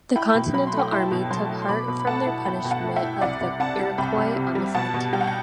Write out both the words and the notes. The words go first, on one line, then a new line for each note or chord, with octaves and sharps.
The Continental Army took heart from their punishment of the Iroquois on the frontier.
E4 G5 B5
B2
F#3 B5
C6
A3
G5 B5
E4 A5 C6
B2
F#3 A5 C6
A3
C6
B2 B5 D6
B2
B5
A3 F#5 A5
E4
B2 G5 B5
B2
F#5 A5
A3
E5 G5
E4
C2 D5 F#5
C2
C3 F#5 A5
G3
C2 G5 B5
C2
C3
G3
B2 F#5 A5
B2
G3 G5
F#5
G5